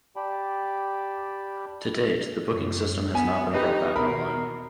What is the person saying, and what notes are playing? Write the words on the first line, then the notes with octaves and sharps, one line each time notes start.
To date the booking system has not been brought back online.
G4 D5 G5 A5 B5
F#2
B3 G#5
D#4 G4 B4 D#5
B2 A#4 B5